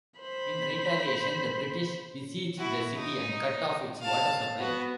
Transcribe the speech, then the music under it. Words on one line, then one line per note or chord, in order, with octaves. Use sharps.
In retaliation the British besieged the city and cut off its water supply.
C5 B5
E4 F#4
D#4
F5 A5
B3 F#4